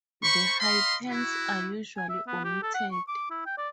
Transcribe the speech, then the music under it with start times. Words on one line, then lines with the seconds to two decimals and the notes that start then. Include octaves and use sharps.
The hyphens are usually omitted.
0.23 C5 B5 C#6
0.60 D#5 F5 B5 C6
1.08 E4 F#4
1.97 G#5
2.09 E5
2.27 B3
2.44 G4
2.62 A4
2.74 F#5
2.92 C#6
3.08 D6
3.30 E4
3.46 G5
3.58 D5